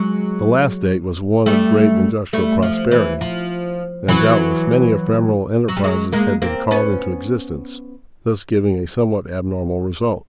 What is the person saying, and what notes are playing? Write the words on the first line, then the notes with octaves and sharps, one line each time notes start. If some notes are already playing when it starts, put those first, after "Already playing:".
The last date was one of great industrial prosperity, and doubtless many ephemeral enterprises had been called into existence, thus giving a somewhat abnormal result.
Already playing: F#3 G#3
G3 A3
G3 A3
F3
E3
F3
E3 F#3
F#3
G3
F#3 G#3
G#3 A#3
A#3 C4
B3 C#4